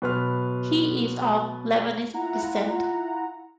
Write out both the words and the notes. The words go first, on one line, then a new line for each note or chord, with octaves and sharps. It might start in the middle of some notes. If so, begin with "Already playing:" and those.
He is of Lebanese descent.
B2 F#3 B4 C6 F6
E4 F4 F#5 A#5